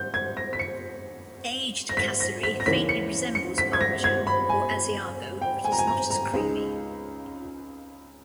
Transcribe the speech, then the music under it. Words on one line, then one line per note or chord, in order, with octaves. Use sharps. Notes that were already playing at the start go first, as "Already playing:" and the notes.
Aged kasseri faintly resembles Parmesan or Asiago but is not as creamy.
Already playing: G6
G#6
A#6
B6
C#7
A#6
B6
A#6
B6
A#6
D#2 C#3 E3 A#3 C#4 B6
C#7
C#7
B6
G#6
A#6
G#6
B5
G#5
G5
G#5
A#5
G#5
A#5
A#5
C#2 C#3 G#3 D#4